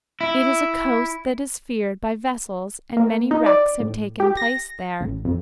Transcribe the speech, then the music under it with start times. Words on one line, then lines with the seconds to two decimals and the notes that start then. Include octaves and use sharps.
It is a coast that is feared by vessels and many wrecks have taken place there.
0.21 E4
2.97 A#3
3.31 D#4
3.46 D5
3.80 A2
4.20 G4
4.37 A#6
5.01 A1
5.25 F2